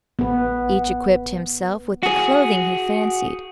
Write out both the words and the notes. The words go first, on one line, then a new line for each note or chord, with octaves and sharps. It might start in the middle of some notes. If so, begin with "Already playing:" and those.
Each equipped himself with the clothing he fancied.
A1 B3 B4
F#4 G#4